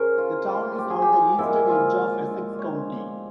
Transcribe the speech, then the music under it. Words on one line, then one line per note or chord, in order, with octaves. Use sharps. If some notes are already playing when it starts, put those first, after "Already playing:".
The town is on the eastern edge of Essex County.
Already playing: C#3 C#4 A#4 C5
F4
F4
G4
G#4
G4
A#2 F3 G#3 E4
F4
C#5